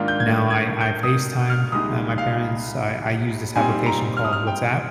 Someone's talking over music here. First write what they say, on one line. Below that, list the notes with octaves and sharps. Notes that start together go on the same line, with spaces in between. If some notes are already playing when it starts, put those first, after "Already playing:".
now I I FaceTime, uh, my parents I I use this application called WhatsApp.
Already playing: G#2 D#3 A#3 D4 F4
G6
G#6
G#6
G6
D#6
F6
C2 A#2 G#3 D#4 D#6
F5
A#2 G3 C4 D#4 G#5
A#5
F6
D#6
F6
G5